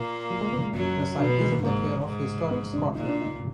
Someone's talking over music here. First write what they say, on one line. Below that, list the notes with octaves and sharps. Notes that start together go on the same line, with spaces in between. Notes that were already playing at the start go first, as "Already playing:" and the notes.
The site is in the care of Historic Scotland.
Already playing: A#2 A#3
F#3
G#3
B3
G#3
F#2 F#3 A#3
B2 D4
B3
G#3
A#3
G#2 A#3
G#2
B3
D4
A#2 D#4
D4
D#4